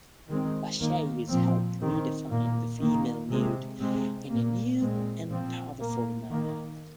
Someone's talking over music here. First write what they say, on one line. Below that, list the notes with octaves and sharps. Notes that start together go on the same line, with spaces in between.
Lachaise helped redefine the female nude in a new and powerful manner.
D#3 G#3 C4
D#3 A#3
A#2 F3 C4
D#3 C4
A#2 A#3
D#3 A#3
C3 G#3 C4
C3 G#3 C4
A#2 A#3
A#2 G#3 C4
A#2 F3 C4
A#2 A#3
D#3 A#3